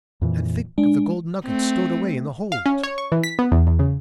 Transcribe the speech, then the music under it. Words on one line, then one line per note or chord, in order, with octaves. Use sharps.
"And think of the gold nuggets stowed away in the hold!"
F2 A#2 E3
G#3 D4
A3 C4
F5
C#4
C#5
C#6
E3
B6
B3
E2
E2
C#3